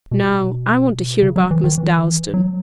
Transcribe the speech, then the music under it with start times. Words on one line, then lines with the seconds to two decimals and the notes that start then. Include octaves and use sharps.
Now I want to hear about Miss Dalstan.
0.11 B2
1.22 C#3
1.36 F#3
1.51 E3
1.64 D#3
1.78 E3
2.34 F#3